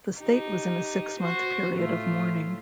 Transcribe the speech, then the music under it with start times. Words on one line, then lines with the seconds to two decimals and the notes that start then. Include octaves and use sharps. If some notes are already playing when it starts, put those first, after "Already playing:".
The state was in a six-month period of mourning.
0.18 D#4 G4
1.20 F#4 C5
1.74 A2 A3 F4